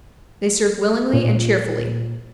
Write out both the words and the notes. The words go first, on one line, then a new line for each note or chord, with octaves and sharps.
They served willingly and cheerfully.
A#2